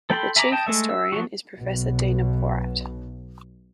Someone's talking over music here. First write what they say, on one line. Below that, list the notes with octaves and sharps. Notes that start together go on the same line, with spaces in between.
The Chief Historian is Professor Dina Porat.
A4 G5 B5 C6
E5 G#5 A#5 B5 D6
D#5 G5 A5
G#3 A3 E5
E6
F3 F#3 F#4
B1 B2